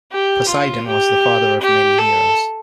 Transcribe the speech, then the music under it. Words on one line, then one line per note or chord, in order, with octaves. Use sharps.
Poseidon was the father of many heroes.
G4
F4
G4
G4
A4